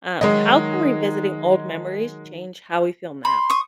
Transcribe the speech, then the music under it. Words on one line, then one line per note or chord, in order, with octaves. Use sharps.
um, how can revisiting old memories change how we feel now?
D#3 F#3 G#3 D#5
B5 C6
C#6 D#6